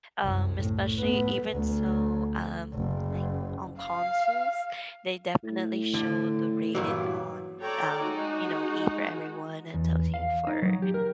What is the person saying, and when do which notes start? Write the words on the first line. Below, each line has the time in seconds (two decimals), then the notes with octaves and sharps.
Um, especially even so, um, like, on consoles, they definitely show the rated on, um, you know, E for Everyone. It tells you for
0.23 C2 F#2
0.55 A2
0.99 A2 B3
1.53 D2
2.73 F#1
3.80 F5
5.44 A2
5.94 D3
6.75 G2 A#2 E3 F#3
7.61 A4 C#5 D5 G5 A#5
7.99 G#3 D#4 F#4
9.74 E2
10.14 F5
10.47 D#4
10.62 F#3
10.82 G4
10.94 A#4